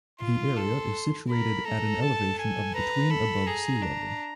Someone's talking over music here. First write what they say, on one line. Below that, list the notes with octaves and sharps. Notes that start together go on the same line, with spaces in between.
The area is situated at an elevation of between above sea level.
F4 C6
A4 C6
A#4 B5
A4 A#5
A5
G#5
B4 A#5
A4 B5
G#4 A#5
D4